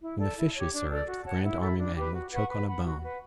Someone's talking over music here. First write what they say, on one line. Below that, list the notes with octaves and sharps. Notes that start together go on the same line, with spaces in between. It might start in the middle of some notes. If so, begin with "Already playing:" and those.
When the fish is served, the Grand Army man will choke on a bone.
E4
A4 D5 A5
E4
G4 C#5
D4
A4 D5
F#4
C#5 F#5 A5
E4
A4 E5 B5
D4
G4 B4
F#4
B4 F#5 C#6
B4
F#5 B5
F#4
B4 F#5